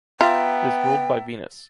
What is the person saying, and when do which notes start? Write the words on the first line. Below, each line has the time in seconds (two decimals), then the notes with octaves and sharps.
It is ruled by Venus.
0.21 B3 F4 E5 G5 A#5 A6